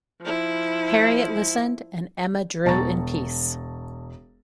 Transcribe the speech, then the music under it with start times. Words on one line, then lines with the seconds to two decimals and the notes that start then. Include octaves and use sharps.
Harriet listened, and Emma drew in peace.
0.21 F3 E4
2.65 E1 A5 A#5 C#6 A6